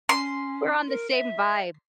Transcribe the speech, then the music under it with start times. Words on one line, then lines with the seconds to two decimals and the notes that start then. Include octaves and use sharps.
We're on the same vibe.
0.09 C#4 C6
0.87 A#4
1.11 E5